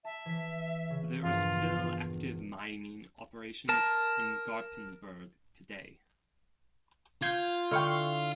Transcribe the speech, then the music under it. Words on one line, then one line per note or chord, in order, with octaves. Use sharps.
There are still active mining operations in Garpenberg today.
E5 A5
E3 B6
C#3
A#1 E2 G2 F4
A#4 A5
F4 G6 G#6
D3 E4 G5 C#6 F6